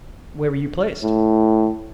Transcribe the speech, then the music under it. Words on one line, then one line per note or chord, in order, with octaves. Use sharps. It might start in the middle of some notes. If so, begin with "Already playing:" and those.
"Where were you placed?"
A2